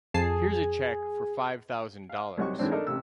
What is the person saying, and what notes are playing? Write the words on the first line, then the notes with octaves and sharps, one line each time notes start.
Here's a check for five thousand dollars.
F2 G#4 A5 C7
F5
C2 C3 F#3 D#4 F#4 C#6
G#2 D3 E3 F#3 C4 D4
A3 D4 D#4 A4 A#4
A1 C3 E6